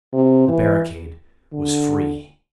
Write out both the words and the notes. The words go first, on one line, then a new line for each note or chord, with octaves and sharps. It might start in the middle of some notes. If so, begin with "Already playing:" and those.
The barricade was free.
C3
E3
D3